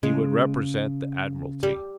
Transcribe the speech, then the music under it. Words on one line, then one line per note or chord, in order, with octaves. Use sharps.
He would represent the Admiralty.
C#3 G#3
G3